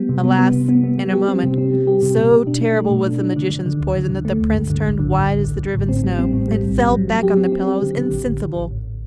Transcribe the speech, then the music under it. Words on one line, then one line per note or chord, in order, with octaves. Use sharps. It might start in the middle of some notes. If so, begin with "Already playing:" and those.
Alas, in a moment, so terrible was the magician's poison that the Prince turned white as the driven snow, and fell back on the pillows insensible.
Already playing: G3 B3
C3
B3
B3
C3
B3
B3
G3
G4
C4
C3
C4
G3
G4
C3
B2
B2
D4
D4
A3
B2
D4
D4
D3
D3
D3
D2
D3
D3
A3
D2
G2
D3
A1
D3
A1
A1
D3
A1
A2
C4
G3
C4
A2
G3
B1
G3
F#3
F#3
G4
C4
C4
G4
D3
D3
A1
A1
A1
A1
A1